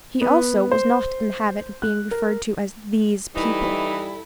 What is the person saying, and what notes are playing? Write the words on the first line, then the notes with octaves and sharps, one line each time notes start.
He, also, was not in the habit of being referred to as "these people."
B3
C5
F#6
A#4
E3 G3 D#4 E4 A4